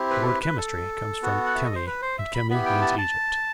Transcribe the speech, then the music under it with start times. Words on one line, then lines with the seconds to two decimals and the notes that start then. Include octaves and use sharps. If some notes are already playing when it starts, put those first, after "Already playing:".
The word "chemistry" comes from chemi, and chemi means Egypt.
Already playing: C4 E4 G4
0.10 B4
0.22 A4
0.26 B4
0.42 B4
0.58 A4
1.22 B3 F#4
1.46 F#5
1.55 E5
1.65 D#5
1.75 C5
1.87 B4
2.02 C5
2.18 E5
2.34 B5
2.50 B3 E4 G4 B5
2.66 G5
2.82 A5
2.98 A5